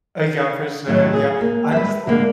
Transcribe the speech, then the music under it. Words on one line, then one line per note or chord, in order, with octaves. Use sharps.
Uh, yeah, for sure. Yeah, I'm just li
A2 D#3 F#3
G#4
A#3
B4 E5
D3 G#3 A#3